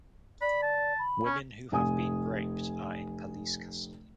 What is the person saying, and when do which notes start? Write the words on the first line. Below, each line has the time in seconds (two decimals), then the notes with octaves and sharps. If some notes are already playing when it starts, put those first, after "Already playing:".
Women who have been raped are in police custody.
0.41 D5 B5
0.63 A5
0.98 B5
1.25 C#4
1.72 F1 G#5 D#6